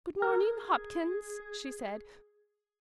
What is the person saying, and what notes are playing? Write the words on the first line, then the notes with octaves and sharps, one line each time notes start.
"Good morning, Hopkins," she said.
G#4 A#4